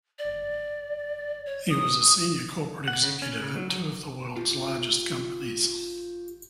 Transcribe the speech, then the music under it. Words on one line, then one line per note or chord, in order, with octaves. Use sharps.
He was a senior corporate executive at two of the world's largest companies.
D5
C#5
D#6
F#5
C#3
C#4
C#3
F#3
F#3
F4 G4